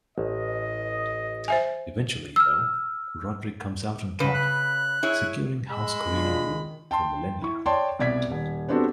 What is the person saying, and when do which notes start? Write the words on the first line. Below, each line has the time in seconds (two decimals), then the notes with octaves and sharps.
Eventually, though, Roderick comes out on top, securing House Corrino rule for millennia.
0.18 A1 D#5
1.48 C5 E5 G#5
2.36 E6 F6
4.20 C#3 B4
4.34 F#6
5.03 E4 G#4 C#5
5.71 G#3 B5 E6
6.12 B2 D4 F4
6.49 D#3
6.91 G5 A5 C6
7.42 E4 C#6
7.66 C#5 D5 G5 A5 C6
7.99 C2 B2 D5 G#6 B6
8.30 D#1
8.69 B3 C4 D4 F#4 G4 A4